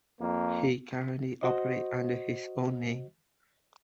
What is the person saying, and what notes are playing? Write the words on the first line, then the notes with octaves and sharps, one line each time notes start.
He currently operates under his own name.
F2 A#3
F#4 C5 D#5